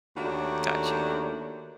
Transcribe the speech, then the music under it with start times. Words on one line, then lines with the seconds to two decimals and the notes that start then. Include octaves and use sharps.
Got you.
0.17 D#2 D#3 A3 D4 F#4 C#5